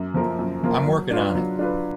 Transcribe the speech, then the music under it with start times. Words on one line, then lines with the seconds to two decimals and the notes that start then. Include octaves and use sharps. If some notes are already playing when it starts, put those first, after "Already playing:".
I'm working on it.
Already playing: F#2
0.14 F3 A#3 F4 A#4
0.39 F#2
0.63 F3 A#3 F4 A#4
0.86 F#3
1.11 D4 F4 B4
1.35 F#3
1.59 D4 F4 B4